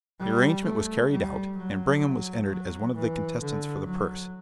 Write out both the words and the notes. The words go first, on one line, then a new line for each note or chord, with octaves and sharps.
The arrangement was carried out, and Brigham was entered as one of the contestants for the purse.
G3
A3
G3
F#3
F#3
E3
D3
F#3